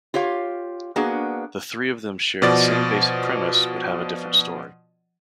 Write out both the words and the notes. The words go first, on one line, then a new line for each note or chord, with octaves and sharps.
The three of them share the same basic premise but have a different story.
F4 G4 C#5 F5
A#3 B3 D4 F#4 G#4
B2 F3 D5 A6